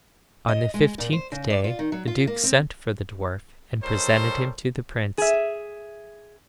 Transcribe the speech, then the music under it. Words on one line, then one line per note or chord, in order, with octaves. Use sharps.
On the fifteenth day the duke sent for the dwarf and presented him to the prince.
D#5
G#3
A#2
C5
C#3
D5
F4
D#3
F#3
F4
A#3
C4
G3 D#4 A4 A#4 C5 C#5
G#4 E5